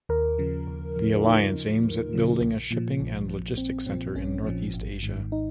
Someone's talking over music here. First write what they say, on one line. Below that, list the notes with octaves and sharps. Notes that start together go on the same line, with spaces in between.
The alliance aims at building a shipping and logistics center in Northeast Asia.
D#2 A#4
C#3 F3
D#2
C#3 F3
F4
D#2 D#4
C#3 F3
D#2
C#3 F3
A#1
A#2 F3
A#1
A#2 F3
A#1 C4
A#2 F3 C4
A#1 C#4
A#2 F3
G#1
G#2 D#3
D#4